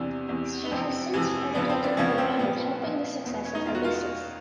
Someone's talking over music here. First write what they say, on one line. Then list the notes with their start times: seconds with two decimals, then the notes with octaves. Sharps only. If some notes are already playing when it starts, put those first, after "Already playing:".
She has since credited the program with helping the success of her business.
Already playing: E2 C3 E3 D4
0.28 E2 C3 E3
0.65 B3
0.71 F2 C3 E3 C4
1.14 F2 C3 E3
1.55 F2 C#3 F3 B3
1.69 C4
1.84 D4
1.97 F2 C#3 F3 C#4
2.18 C4
2.39 A#2 F3 B3
2.82 A#2 F3
3.24 E2 B2
3.34 B3
3.45 C#4
3.55 D#4
3.66 E2 B2 F4
3.75 F#4
3.84 F4